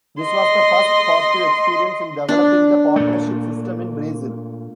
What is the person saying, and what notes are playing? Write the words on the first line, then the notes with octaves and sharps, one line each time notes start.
This was the first positive experience in developing the partnership system in Brazil.
D#5 C6
D4
A#2 A3